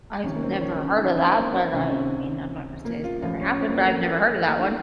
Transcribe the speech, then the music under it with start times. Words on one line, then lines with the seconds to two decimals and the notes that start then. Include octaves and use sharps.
I've never heard of that, but, I mean, I'm not gonna say it's never happened, but I've never heard of that one.
0.24 C2 C3 D#3 C#4
0.35 A#3
0.42 C4
0.61 C#4
0.80 C#4
0.98 D#4
1.17 C4
1.36 A#3
1.55 C4
1.73 C#2 C3 D#3 C#4
1.87 C#4
1.92 C4
2.85 A#3
3.04 F4
3.22 A1 A2 F3 F4
3.41 C#4
3.60 C4
3.70 A#3
3.80 A3
3.90 A#3
4.35 A3
4.47 A#3
4.60 D#4